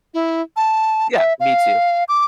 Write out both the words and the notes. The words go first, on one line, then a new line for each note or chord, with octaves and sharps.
Yeah, me too.
E4
A5
E5
F5
D6